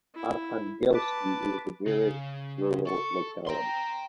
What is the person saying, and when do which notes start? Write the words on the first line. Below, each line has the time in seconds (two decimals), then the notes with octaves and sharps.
Arkhangelsky is the nearest rural locality.
0.15 E4
0.94 B4 A5 D6
1.88 C#3
2.87 A4 C#6
3.47 G5 A#5 C6